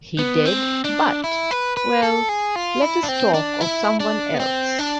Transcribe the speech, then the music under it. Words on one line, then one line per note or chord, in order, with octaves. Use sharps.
He did, but — well, let us talk of some one else.
B3
C4
D4
E4
B4
B4
A4
G#4
F4
E4
D4
C4
D4
E4
D4
B3
C4
D4